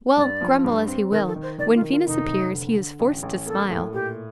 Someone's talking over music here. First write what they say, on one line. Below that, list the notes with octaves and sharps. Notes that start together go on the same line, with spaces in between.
Well, grumble as he will, when Venus appears he is forced to smile.
G2 D5
F3
G2
C4
D#3 A#4
A4
D#3
C5
D#3 D5
F4
D#3
F4
F1 D#4
F1
D3
D3
A1
A1
A#3 A4
A2
A#2 G4